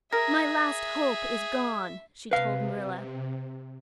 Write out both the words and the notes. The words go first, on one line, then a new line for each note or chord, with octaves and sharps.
"My last hope is gone," she told Marilla.
G#4 A#4 E5 A#6
C3 B4 F5